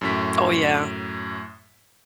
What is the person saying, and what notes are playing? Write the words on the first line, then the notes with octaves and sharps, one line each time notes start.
Oh, yeah.
F#2 A2 B6